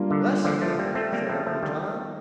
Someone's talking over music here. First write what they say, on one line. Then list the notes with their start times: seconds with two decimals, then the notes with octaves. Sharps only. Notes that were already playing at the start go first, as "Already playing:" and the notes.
"Bless me!" said Uncle John.
Already playing: G3 A#3 D4 F4
0.11 D3
0.44 D3 F3
0.61 F3 A3
0.79 G3 A#3
0.95 A3 C4
1.12 G3 A#3
1.30 F3 A3
1.47 F3 A3
1.63 D#3 G3